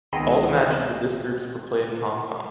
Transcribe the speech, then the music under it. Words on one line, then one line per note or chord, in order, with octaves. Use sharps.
All the matches of this groups were played in Hong Kong.
C#2 D#3 B3 C4 G#4 D#5